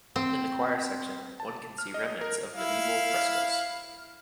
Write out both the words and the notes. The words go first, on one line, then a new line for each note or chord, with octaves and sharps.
In the choir section, one can see remnants of medieval frescoes.
C4
A5
F6
D#5
A#4
E4 F5